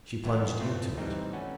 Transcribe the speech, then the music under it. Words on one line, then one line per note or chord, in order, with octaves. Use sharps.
She plunged into it.
A2 E3 G#3 B3
A2 E3 A3 C4 F4
E3 G3 C4 D#4
A3 C#4 F#4 B4